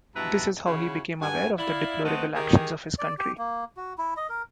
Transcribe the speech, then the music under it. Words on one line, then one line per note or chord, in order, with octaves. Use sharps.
This is how he became aware of the deplorable actions of his country.
G2 B2 E4 B4 A5 A#5
C#3 E4 F#4 C#5
G2 F#4 G#5
E4 D5 F5
A3 C4 B4 D#5 F#5
D#3 G4 G#4
D5
G4
A#3
F#4
E4
D#5
A#4